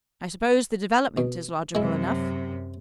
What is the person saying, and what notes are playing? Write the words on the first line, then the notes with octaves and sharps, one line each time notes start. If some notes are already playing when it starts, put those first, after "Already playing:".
I suppose the development is logical enough.
B2
F#2 C3 G#3 E4